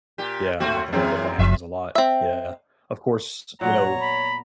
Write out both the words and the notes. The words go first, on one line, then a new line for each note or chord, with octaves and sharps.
Yeah, I think that definitely happens a lot, yeah, of course, you know
A#2 G4
D#2 A3 C4 F#4
F#2 A#2 E3 G#3 C4
F#1 F3 E5
C4 E5
A#2 F#3 B3 C#5 F#5 A#5
B5